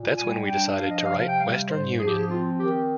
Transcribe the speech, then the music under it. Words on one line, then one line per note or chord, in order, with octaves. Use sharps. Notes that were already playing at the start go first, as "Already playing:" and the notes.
That's when we decided to write 'Western Union.
Already playing: A#2
G3 G#5
D4 G5
F3 F5
D#5
C3 F5
G5
G3 F5
G#2 C5
F3 G#4
G4
G#4
C4 F4
D#3 G4